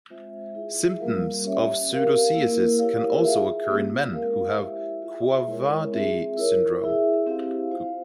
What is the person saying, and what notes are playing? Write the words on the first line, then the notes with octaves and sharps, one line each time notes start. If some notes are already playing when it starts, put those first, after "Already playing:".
Symptoms of pseudocyesis can also occur in men who have couvade syndrome.
G#3 C4 F4 C5 E5
E4 G#4 E5
G3 A#3 F4 A#4 F5
C#4 G4 C#5 E5
C4 G4 A#4 F5
A#3 E4 A#4
E4 G4 A#4 C#5 F5
F4 G#4 E5
A#3 C#4 G4
G#3 C4 E4 A#4 F5
E4 G4 C5 E5
F4 G#4 E5
G#3 E4 A#4 C#5
C4 F4 G#4 E5
E4 A#4 C#5
E4 G#4 E5
C4 E4 G4 C5 F5
F4 C5 F5